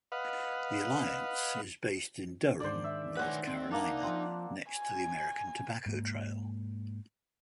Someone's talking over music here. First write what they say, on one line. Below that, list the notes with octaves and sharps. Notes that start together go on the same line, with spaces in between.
The Alliance is based in Durham, North Carolina, next to the American Tobacco Trail.
B4 D#5 F5 F#5
G#2 D#3 D4 C5 D5
E5
B4 C#5 F#5 G#5
C4
A#3 D4 D#4 A5
F3 C4 F4 F#5 C6
G#5
G#2 A#3